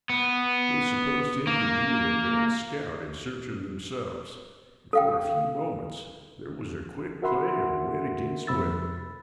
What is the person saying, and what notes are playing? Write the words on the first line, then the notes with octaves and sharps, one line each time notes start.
They supposed him to be an advance scout in search of themselves, and for a few moments there was a quick play of wit against wit.
B3
A#3
A4 F5 G5
F#4 A#4 E5 F#5 B5 C6
F2 C3 B5 E6 A6